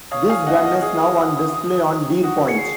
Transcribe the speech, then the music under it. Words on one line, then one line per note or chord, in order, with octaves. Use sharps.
This gun is now on display on Deer Point.
C#5 F5 D#6
F5 G#5
D#5 F#5
D#5 F#5
G#4 D#6
F#4 D#6
G#4 C#7
C7